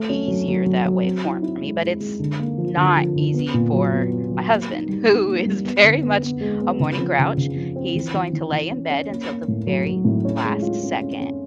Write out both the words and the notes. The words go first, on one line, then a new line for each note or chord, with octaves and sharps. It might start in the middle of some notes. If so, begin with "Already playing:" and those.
easier that way for me, but it's not easy for my husband who is very much a morning grouch, he's going to lay in bed until the very last second,
Already playing: A3
C#4
F#3
F#3
F#3
F#3
C4
E4
E4
G#3
G#3
G#3
D3
A#3
F3
D3
F3
D3
B3
A#2
F#3
B3
B3
F#3
A#3
D#4
G3
D#4
A#3
G3
B3
D3
B3
B3
G#3
B3
C#3
F3
C#3
C#3
F3
C4
E3
E3
E3
E3
C#4
C#4
A#3
A#3
A2
F#3
F#3
A2
C#4
G#3
F4
C#4
C#4
C#4